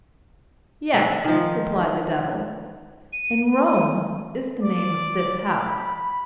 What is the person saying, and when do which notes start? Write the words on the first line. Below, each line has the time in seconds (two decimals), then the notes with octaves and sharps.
"Yes," replied the devil, "and Rome is the name of this house."
0.94 E5 F#5
1.24 D#3 F3
3.13 D#7
4.63 D5
5.62 B5